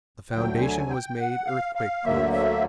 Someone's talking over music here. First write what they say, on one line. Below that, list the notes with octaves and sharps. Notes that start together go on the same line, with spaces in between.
The foundation was made earthquake-proof.
D2 D3 F#3 G5
G#5
G5
F#5
F5
F5
D2 D3 F#3 A#3 E5
E5